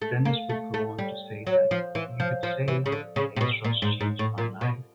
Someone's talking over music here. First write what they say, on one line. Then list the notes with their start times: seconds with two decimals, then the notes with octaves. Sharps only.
Dennis would go on to say that you could say Extras changed my life.
0.02 A3
0.25 A#3
0.50 A3
0.74 A3
0.98 G3
1.47 F#3
1.71 F3
1.95 E3
2.20 F3
2.43 F3
2.68 E3
2.86 C#3
2.92 D3
3.16 C#3
3.36 C3
3.41 B2
3.64 A#2
3.82 G#2
4.01 G#2
4.19 A2
4.38 A#2
4.61 B2